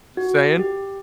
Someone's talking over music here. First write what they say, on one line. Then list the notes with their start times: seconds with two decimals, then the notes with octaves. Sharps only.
Just saying.
0.17 F#4
0.59 G4